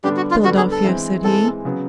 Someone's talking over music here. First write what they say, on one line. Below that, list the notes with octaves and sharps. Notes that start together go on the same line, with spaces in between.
"Philadelphia," said he.
D3 G3 B3 D4 G4
F#4
F4
D3 G3 B3 D4 F#4
G#4
A4
E3 G#3 C4
E3 G#3 C4 A4
C#3 F#3 B3